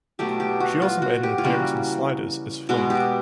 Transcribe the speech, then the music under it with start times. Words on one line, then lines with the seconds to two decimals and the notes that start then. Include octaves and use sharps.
She also made an appearance on "Sliders" as Fling.
0.19 B2 F#3 A3 G4
0.40 G4
0.60 F#4
0.82 F4
1.02 F#4
1.23 G4
1.38 F4
1.44 C#3 E3 G3 A#3 F#4
2.69 B2 G#3 B3 F#4
2.90 G4